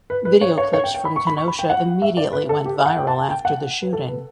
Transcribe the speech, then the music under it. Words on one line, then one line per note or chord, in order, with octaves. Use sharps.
Video clips from Kenosha immediately went viral after the shooting.
B4
B4
C#5
C#5
C#5
G5
G5
B5
C#6
B5
C#6
B5
G5
F#5
E5
D5
B4
A4
G4
F#5
G5
A5
A5
G5
F#5
B4
A4
B4